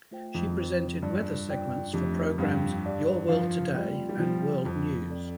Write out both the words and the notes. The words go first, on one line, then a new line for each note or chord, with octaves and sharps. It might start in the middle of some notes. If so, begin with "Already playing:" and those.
She presented weather segments for the programs "Your World Today" and "World News".
A3 F4 C5 G5
F2
F2
C4 F4 C5
G2 F4 D5 A5
F4 D5 G5
F2 A3 D4 G4
G2 C4 G4 F5
G4 D5 F5 A5
F3 F4 C5 F5
G3 A3 C4 F4 D5 G5
G3
F3 F4 C5 G5
F2 F4 C5 A5
C4 A4 D5